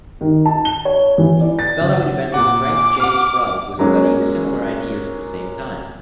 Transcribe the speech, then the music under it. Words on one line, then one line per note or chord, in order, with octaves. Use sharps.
Fellow inventor Frank J. Sprague was studying similar ideas at the same time.
D#3
A5
G7
C#5
E3
D5
A6
F#1
F#5
A#2 F#5 D6
F#5 F6
F#3 G#3 A#3 C#4